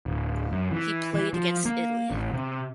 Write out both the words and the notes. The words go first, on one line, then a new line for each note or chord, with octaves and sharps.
He played against Italy.
D1
F#2
E3
E3
F3
A#3
A1
C3